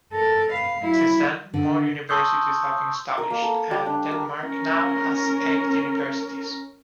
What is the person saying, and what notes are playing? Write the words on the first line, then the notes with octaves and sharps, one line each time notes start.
Since then, more universities have been established, and Denmark now has eight universities.
A4 A#4
B4 F5
F#3 E4
D3
A5 C6 C#6 D#6 E6 G6
A#4
A#3
A4
G3
D4
A#4
C#4 A#4